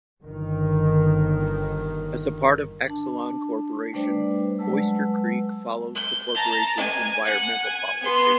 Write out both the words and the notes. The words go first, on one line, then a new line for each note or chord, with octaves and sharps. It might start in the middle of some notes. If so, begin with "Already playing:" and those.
As a part of Exelon Corporation, Oyster Creek follows the corporation's environmental policy.
G1 D#3
D4 A5
G3 A3 D4 B4 C5 D5
F#3 G#3 B4 A5 E6
G6
A5 A#5
G#5
F#5
G#5
B3 C6